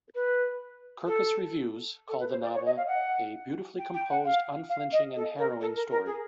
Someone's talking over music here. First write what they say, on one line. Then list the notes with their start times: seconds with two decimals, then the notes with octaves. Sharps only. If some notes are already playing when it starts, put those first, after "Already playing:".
"Kirkus reviews" called the novel a "beautifully composed, unflinching and harrowing story".
0.14 B4
1.06 A4
2.08 A4
2.19 B4
2.30 C5
2.43 D5
2.54 C#5
2.65 D#5
2.77 F5
2.87 F#5
3.78 G5
3.94 G5
4.09 F#5
4.25 F5
4.69 F5
4.92 D#5
5.15 A4
5.38 A#4
5.61 A4
5.75 A#4
5.90 A#4
6.05 G#4